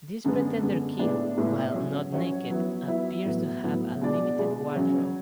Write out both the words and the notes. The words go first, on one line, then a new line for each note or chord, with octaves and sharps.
This pretender King, while not naked, appears to have a limited wardrobe.
F#2 D3 G#3 B3
F#2 D3 G#3 B3
A2 G#3 B3 D4
A2 G#3 B3 D4
F#3 C#4 F#4 C#5
F#3 C#4 F#4 C#5
F#3 B3 E4
F#3 B3 E4
A2 F#3 B3
A2 F#3 B3
B2 G#3 D4 G#4 D5
B2 G#3 D4 G#4 D5
C#3 F#3 C#4